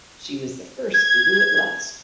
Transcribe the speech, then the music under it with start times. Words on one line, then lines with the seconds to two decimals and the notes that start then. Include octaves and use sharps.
She was the First to do it last.
0.94 G#6